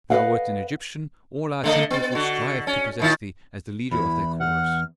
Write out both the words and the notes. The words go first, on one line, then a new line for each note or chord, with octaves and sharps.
If thou wert an Egyptian, all our temples would strive to possess thee as the leader of their chorus.
B4 D#5 F5 F#5
D3 A3 D#5
B3
D3 F#4
C#4
A#2 D#3 E4
E2 E4 B5
F#5 F6